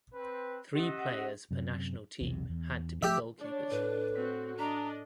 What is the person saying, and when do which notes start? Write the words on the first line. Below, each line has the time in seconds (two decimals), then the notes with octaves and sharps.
Three players per national team had to be goalkeepers.
0.14 C4 B4
0.75 C#4 G4 D#5 E5 F#5
1.51 F#2 C3
2.21 B1 E2 C3
2.49 E2
3.03 F3 A3 G4 E5
3.41 D4 C#5 D5
3.71 A2 B4
4.15 C4 F#4 B6
4.59 D4 D#5 A#5 B6 C7 D7